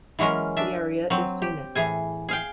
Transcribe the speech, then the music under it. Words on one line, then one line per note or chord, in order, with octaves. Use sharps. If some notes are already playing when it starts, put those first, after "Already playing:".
The area is scenic.
E3 F#3 G#3 C#4 A#4
D4 E5
F#3 C4
G4
A2 E3 G#4 G#5
G#4 F5 G5